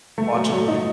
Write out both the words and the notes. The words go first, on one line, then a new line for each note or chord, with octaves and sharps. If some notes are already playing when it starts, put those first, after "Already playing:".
Watch a movie.
A3
F#3
F#3
D#4